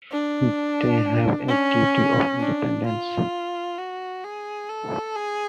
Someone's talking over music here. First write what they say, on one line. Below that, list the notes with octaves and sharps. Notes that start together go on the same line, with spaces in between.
They have a duty of independence.
D4
C#4
D4
F4
F#4
G#4
A4
G#4